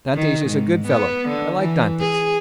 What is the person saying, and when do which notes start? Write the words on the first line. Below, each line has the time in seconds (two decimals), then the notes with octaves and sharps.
Dantes is a good fellow; I like Dantes.
0.15 D#3
0.46 G#2
0.87 B3
1.28 D3
1.59 E3
2.00 G#4